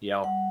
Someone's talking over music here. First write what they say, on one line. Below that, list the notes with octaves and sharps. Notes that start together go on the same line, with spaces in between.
you know,
G3 F#5